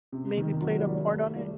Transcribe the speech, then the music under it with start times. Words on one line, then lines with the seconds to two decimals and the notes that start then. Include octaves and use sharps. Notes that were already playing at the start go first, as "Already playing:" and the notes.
maybe played a part on it.
0.12 C3
0.37 D#3
0.62 F#3
0.79 G3
0.95 G3
1.11 A3
1.36 G3